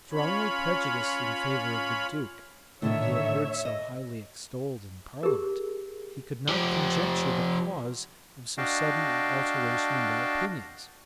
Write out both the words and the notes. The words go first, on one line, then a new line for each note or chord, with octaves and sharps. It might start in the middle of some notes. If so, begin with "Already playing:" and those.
Strongly prejudiced in favor of the duke, whom he had heard so highly extolled in parliament, he could not conjecture the cause of so sudden an alteration in their opinions.
C#4 F4 C#5 B5
A2 D3 D#3 C#5 E5
D#5
G4 G#4 A#4
F3 G4
D4 F#4 D#5 F5 G5 A5